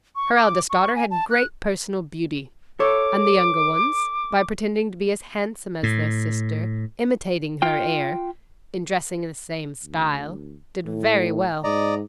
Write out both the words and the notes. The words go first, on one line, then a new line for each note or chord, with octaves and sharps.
Her eldest daughter had great personal beauty, and the younger ones, by pretending to be as handsome as their sister, imitating her air, and dressing in the same style, did very well.
C#6
D6
C#6
G#5
A5
F#6
A4 C#5 D6
A2
F4 G5
D2
A2
G#2 D5 D#5 A#5